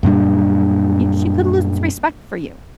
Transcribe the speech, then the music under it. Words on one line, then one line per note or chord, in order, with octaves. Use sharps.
she could lose respect for you.
F#2 A#2 G3 D4